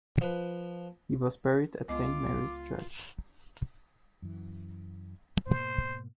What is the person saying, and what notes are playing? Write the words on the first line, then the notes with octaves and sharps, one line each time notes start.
He was buried at Saint Mary's Church.
F3 B4
C#2 B3 F4 D#5 D6
F#2 E3
G#2 B2 A#3 C5